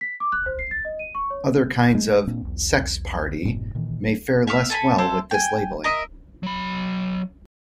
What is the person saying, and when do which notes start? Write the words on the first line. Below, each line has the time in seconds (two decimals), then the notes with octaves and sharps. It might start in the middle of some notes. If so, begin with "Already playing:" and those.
Other kinds of "sex party" may fare less well with this labeling.
0.01 B6
0.20 D6
0.32 F#6
0.46 C5
0.59 C7
0.71 A6
0.85 D#5
0.99 D#7
1.15 C#6
1.30 C#5
1.95 G#3
2.27 A#2 A#3 C4 D4
2.42 B1 E2
3.43 F1 G#2 B2
3.75 A#2 D#3 E3
4.47 E5 F5 C#6 E6
4.70 A4 G#5 A#5 B5
4.98 E4 A4 C5
5.31 G5 G#5
5.84 A#4 D#5 E5
6.43 F#3 B5